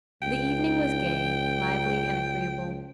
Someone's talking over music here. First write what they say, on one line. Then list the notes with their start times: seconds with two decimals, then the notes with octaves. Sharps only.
The evening was gay, lively and agreeable.
0.22 C#2 G5